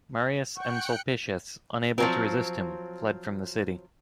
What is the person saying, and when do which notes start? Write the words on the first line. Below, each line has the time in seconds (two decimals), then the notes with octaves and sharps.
Marius and Sulpicius, unable to resist him, fled from the city.
0.56 F#5 G5 C#6 F#6 G6 C#7
1.98 F3 F#3 C4